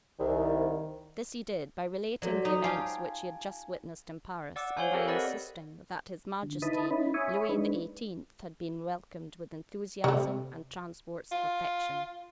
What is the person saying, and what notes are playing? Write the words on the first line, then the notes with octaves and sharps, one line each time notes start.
This he did, by relating the events which he had just witnessed in Paris, and by insisting that His Majesty, Louis XVIII., had been welcomed with enthusiasm and transports of affection.
C2 D#3
F#3 F#4 A4 D5
D#4
F4 G4 F5 G#5 A5
D5 F#5 D6 E6
C5 C#5 F5 G#5
C4 G4 A4 A#4 C#5
A#4 B4 D5 D#5 F#5 B5
D3
D#4 E4 B4 A5 B5 D#6
C#4 D#4 E4 B5
C#5 E5 G#5 B5 C#6 D#6
G#3 D4 D#4 B4
C3 G3 A3
F4